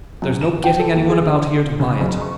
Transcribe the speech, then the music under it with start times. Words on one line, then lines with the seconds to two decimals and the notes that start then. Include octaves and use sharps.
There's no getting any one about here to buy it.
0.22 F#2
0.41 E7
0.64 G5
0.79 A4
0.95 D#2
1.09 G#4
1.26 D3
1.80 C#3
2.01 F#1
2.22 C#6